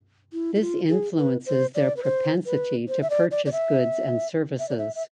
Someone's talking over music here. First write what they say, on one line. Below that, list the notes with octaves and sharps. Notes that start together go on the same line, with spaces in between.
This influences their propensity to purchase goods and services.
E4
E4
F4
G#4
B4
C5
D5
B4
C5
B4
C5
E5
D5
D5
D5
E5
E5
D5
E5
E5